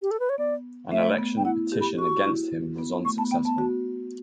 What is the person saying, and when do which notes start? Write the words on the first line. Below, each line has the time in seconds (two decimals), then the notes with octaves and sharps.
An election petition against him was unsuccessful.
0.02 G4
0.11 A4
0.20 B4
0.29 C#5
0.38 B3 D5
0.91 A3 E5
1.18 B3
1.37 G5
1.45 E4 F#5
1.72 G4
1.81 B5
1.98 F#4 C#6
2.25 E4
2.78 B3
3.05 A3 C#6
3.18 B3 A5
3.31 B3 G5
3.45 B3 A5
3.58 F#4